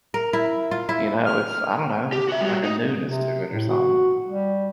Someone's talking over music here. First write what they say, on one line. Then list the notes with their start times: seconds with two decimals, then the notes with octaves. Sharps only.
you know, it's, I don't know, like a newness to or something
0.14 A#4
0.33 E4
0.71 F4
0.89 E4
1.25 F6
2.12 G4
2.29 F#4 E5
2.41 G3 F#4
2.64 D#4
3.05 C3
3.52 A2
3.69 F#4
4.27 G3